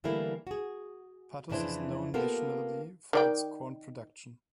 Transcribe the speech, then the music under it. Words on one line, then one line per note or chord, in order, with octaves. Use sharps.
Patos is known nationally for its corn production.
D3 E3 G3 A3 A#3 E4
F#4 G#4
F2 C#3 E3 D4 E4 C5
A#3 B3 F4 G4 A4
D#3 D5 G5